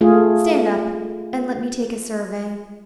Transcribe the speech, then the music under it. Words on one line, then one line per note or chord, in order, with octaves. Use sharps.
Stand up, and let me take a survey.
A3 F4 G#4